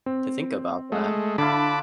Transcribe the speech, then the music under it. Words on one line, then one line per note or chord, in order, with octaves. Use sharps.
to think about that.
C4
G#3 A3
D3 D4 E4 F4 A5 B5 D6